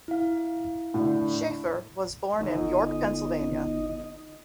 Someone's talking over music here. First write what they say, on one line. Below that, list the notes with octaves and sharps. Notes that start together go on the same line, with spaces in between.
Sheffer was born in York, Pennsylvania.
E4 F5
A2 D3
G1 D#4 D#5